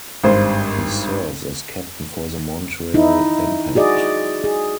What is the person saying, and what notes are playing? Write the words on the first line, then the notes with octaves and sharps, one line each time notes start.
He serves as captain for the Montreal Impact.
G#1 G2 C5
D#4 E4
F#4 G#4 D5 D#5
G#4